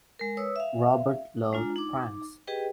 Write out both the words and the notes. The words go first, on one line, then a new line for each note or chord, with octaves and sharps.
Robert loved pranks.
G#3 A#4
B4 C#5 D#6 E6
E5 F5
G#3 D4 F4 A#5
D#4 D6
G4 G#4 B4 D#5 G5